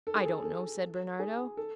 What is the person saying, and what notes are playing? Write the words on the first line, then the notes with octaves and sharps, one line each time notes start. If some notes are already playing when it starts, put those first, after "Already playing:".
"I don't know," said Bernardo.
A4
G#4
A4
A4
G#4
A4